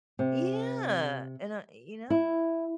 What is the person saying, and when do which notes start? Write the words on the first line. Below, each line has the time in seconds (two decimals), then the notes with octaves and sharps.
Yeah, and I you know?
0.19 C3
2.10 E4